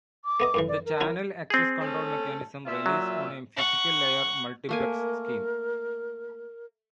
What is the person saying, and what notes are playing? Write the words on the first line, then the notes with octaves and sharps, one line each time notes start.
The channel access control mechanism relies on a physical layer multiplex scheme.
D6
A3 B3 D#5
F#2 A2 E3
D5
A#4
F#3 C#4 E4
C4 G#4
A3 C#4 A4
A#2 F4 E5
F#3
F#5 C#6
A3 A#3 A#4 G#5